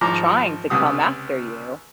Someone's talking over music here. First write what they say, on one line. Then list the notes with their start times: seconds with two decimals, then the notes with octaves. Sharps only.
trying to come after you.
0.01 G#1 F3 A#5 D6
0.70 C#2 C3 D#6